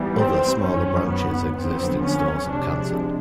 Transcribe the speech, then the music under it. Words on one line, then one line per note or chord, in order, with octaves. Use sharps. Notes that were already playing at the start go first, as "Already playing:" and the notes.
Other smaller branches exist in Storrs and Canton.
Already playing: G#2 E3 G3 B3
C4
F#2 D#3 F#3 C#4
B3
F2 D3 F#3 B3 C4
C#4
C3 F3 G#3 D4